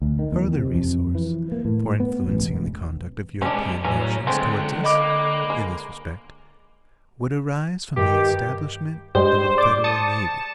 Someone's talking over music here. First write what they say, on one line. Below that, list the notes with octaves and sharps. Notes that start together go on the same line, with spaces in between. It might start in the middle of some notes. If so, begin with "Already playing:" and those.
A further resource for influencing the conduct of European nations toward us, in this respect, would arise from the establishment of a federal navy.
D2
D#3
E2
C3
F2
E3
A#3
A2
B3
A1
E1
C3 G#3 B3 C#4 D4
A2 E3 F#3 C#4 G#4 A#4
C#2 D3 G#3 C4 G5 F#6
A#3 D#5 B5 D6
G#3
G2 D#3 G4
G2 G3 G#3 C5
D5 D6
A5 D#6 A6 C#7